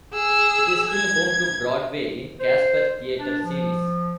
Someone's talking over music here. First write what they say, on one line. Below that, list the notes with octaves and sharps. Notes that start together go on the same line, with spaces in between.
It is still home to Broadway in Casper theatre series.
G#4 E6
G#6
C5
D4
F3